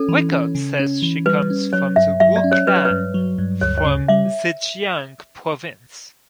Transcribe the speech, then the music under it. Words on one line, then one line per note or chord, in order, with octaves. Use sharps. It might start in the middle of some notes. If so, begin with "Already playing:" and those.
Records say she comes from the Wu Clan from Zhejiang Province.
Already playing: C#4 A4
E3
C#4
C#3
C#4
E3
G3 B4
C#4
F#3 C#5
G2 E5
F#3 E5
D5
C#4
C#5
F#3 B4
C#5
B4
G2
F#3
G2
D2 C#5
C#5
C#3
G3 E5